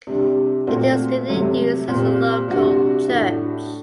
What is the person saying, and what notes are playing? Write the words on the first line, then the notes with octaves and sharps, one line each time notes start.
It is still in use as the local church.
C3 G3 D4
A#2 A3 C4 F#4
C3 F#3 A3
A#2 G3 C4
C3 G3 D4 F#4
A2 A3 D4 F#4